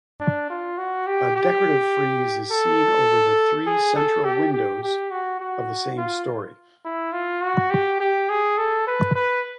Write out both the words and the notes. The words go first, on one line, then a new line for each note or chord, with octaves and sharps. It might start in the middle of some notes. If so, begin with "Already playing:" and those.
A decorative frieze is seen over the three central windows of the same storey.
D4
F4
F#4
G4
G4
A4
G#4
A4
G4
G4
G4
F#4
F#4
F4
E4
F4
F#4
G4
G4
G#4
A4
B4
B4